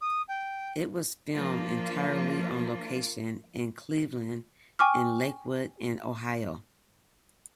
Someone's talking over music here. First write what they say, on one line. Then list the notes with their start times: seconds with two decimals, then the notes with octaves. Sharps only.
It was filmed entirely on location in Cleveland and Lakewood in Ohio.
0.01 D#6
0.28 G5
1.34 F3 A#3 D4 F4
4.79 G5 G#5 C#6 D6 F6